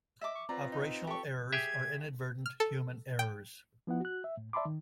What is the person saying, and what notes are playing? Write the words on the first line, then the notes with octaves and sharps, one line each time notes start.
Operational errors are inadvertent human errors.
D#5 E5 D6
C#6
C4 F4 B4 D5 A#5
D#4
G4 A4 C#6
G4 G#4 E5 G#6
F6
A4
G5
F3 B3 E4 F#5
F#4 F#6
E5
A2
D5 E5 A5 B5 C6 D6
D#3